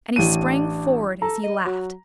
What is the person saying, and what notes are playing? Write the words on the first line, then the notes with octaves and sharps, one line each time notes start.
And he sprang forward as he laughed.
A1 D4 D#7
A4 A#5
D#5
F#3